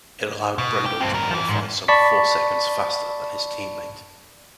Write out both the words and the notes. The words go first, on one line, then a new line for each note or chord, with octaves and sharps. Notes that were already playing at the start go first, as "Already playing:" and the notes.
It allowed Brundle to qualify some four seconds faster than his team mate.
B2
G4
G2 C4
G3 A#4
E3 F3
G#2
D5 A5 B5 C#6 B6